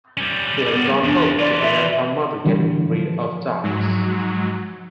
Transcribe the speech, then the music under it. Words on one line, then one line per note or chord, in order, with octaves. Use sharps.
She has gone home to prevent her mother getting rid of Daks.
G3 C#4
B3
E2 D4
E3 F4 D5
E5
D3 E3 G3
F3
G#2 F#3